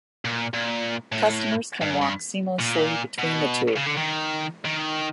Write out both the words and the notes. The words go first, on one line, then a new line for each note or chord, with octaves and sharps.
Customers can walk seamlessly between the two.
A#2
A#2
A2
G2
F#2
G2
A#2
B2
C#3
D3
D#3
D#3